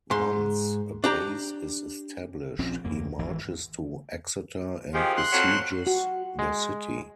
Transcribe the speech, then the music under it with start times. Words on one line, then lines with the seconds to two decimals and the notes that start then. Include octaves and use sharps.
Once a base is established, he marches to Exeter and besieges the city.
0.11 G#2 C6
1.04 D4 G4 A#5
2.59 A#1 F3 C4 C#4
2.85 F2 A#3
3.19 G#1 E3
4.94 F#2 D#3 F3 G4 G#4
5.17 C6 F#6
5.32 F2 F#3
5.87 F#4
6.39 G#3